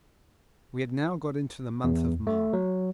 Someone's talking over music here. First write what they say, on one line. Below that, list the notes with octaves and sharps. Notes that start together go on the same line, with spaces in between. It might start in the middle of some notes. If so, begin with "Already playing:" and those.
We had now got into the month of March.
E2
A3
F#3